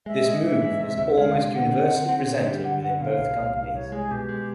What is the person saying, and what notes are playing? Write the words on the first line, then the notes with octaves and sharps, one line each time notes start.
This move was almost universally resented within both companies.
G#3 E5
G#3 D#5
E3 E5
G#3
C3
D2
G#3 F5
C3
D3 F#5
C4
D3
C4
D3 G5
G3 G5
D3 F#5
D3 F#5
B2 F5
C2
C2
C2
C2 C#5
G#3 G#4
B2 G4
G#3